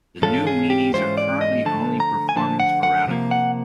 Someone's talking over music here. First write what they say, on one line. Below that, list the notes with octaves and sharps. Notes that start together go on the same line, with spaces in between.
The New Meanies are currently only performing sporadically.
G#2 E3 G#3 C#4 F4 A4
G#4
G4
G#2 E3 G#3 C#4 F4 C5
D5
D#5
D3 F3 A3 D4 A5
A#5
G#5
D3 F3 A3 D4 A5
F#5
F#5
C3 F3 A#3
F#5